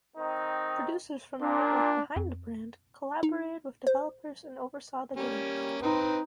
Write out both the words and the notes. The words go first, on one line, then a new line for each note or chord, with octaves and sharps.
Producers from the network behind the brand collaborated with developers and oversaw the games.
D#3 C4 D#4
A#2 D4
F2
D#4
C5
G3 A#3 C#4
C4 D#4 B4